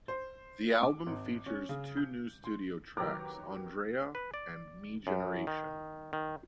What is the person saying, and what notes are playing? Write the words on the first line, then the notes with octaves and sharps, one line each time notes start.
The album features two new studio tracks: "Andrea" and "Me Generation".
C5
D6
G#1
C#4
C#3
G6
C6
D#3 F#3 G4 B4 A#5 D6
B4
D5
F#2
D#3
D#3